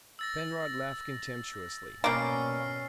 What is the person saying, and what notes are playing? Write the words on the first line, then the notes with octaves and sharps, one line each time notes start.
Penrod laughed contemptuously.
E6 A6 A#6
B2 G3 A#3 C#4 F6 C7